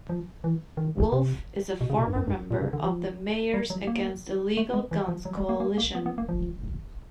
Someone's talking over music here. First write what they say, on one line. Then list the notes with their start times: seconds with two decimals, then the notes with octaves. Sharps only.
Wolf is a former member of the Mayors Against Illegal Guns Coalition.
0.09 F3
0.44 E3
0.77 D#3
1.12 C3
1.81 B2
1.90 C#3
1.98 B2
2.08 G2
2.16 F#2
2.28 G2
2.51 A#2
2.62 C#3
2.73 D3
2.84 F3
3.54 G3
3.70 F#3
3.87 A#3
4.57 A3
4.74 G#3
4.91 E3
5.08 F3
5.25 F#3
5.37 G3
5.49 A#3
5.60 A#3
5.78 A#3
5.95 B3
6.06 B3
6.18 A#3
6.29 F3